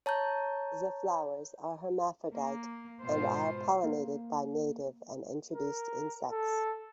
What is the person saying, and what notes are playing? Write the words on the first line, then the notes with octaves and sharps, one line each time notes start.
The flowers are hermaphrodite, and are pollinated by native and introduced insects.
C#5 A5 A#5 G6
A#3
G#2 B2 F4 C5
A#3
A#4
A4